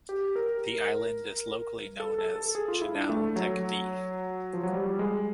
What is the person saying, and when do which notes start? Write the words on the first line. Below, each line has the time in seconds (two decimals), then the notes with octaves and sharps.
The island is locally known as "Chinal Tekdi".
0.09 G4
0.36 A#4
2.00 A4
2.19 A4
2.36 A4
2.55 G#4
2.68 F4
2.81 E4
2.95 D4
3.09 A3
3.36 F#3
4.53 F3
4.63 F#3
4.73 G3
4.99 G#3